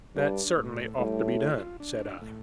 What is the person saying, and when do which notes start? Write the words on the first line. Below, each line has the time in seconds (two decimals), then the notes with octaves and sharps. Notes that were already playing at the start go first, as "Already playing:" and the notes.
"That certainly ought to be done," said I.
0.16 G2 D4
0.57 A2
0.98 A2 G3
1.39 F4
1.80 D4
2.21 A2